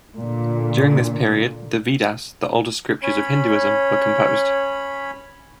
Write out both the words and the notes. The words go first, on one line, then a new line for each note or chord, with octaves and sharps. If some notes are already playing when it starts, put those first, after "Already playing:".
During this period the Vedas, the oldest scriptures of Hinduism, were composed.
A#2 D3
C#4 C#5 B5